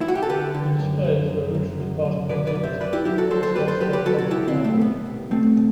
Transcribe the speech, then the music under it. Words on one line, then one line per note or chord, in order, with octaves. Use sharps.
The displays were originally part of an exhibit at the Scottsdale Public Library.
E4
F#4
G4
A4
D3 G4 B4
D3
F#2
F#2
F#2
F#2
F#2
F#2
F#3 B4 D5
B4 D5
F#2
C5 E5
F#2 B4 D5
E4 G4
F#3 E4 G4
F#4 A4
F#3 A4 C5
A4 C5
F#2 G4 B4
A4 C5
F#3 G4 B4
G4 B4
F#3 F#4 A4
F#4 A4
C2 E4 G4
C4 E4
B2
A3 C4
G3 B3
C2
B2 A3 C4
B2